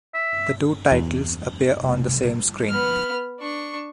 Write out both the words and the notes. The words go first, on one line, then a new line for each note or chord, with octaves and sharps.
The two titles appear on the same screen.
E5
E2
F1 C2
B3 F6
D4 C#6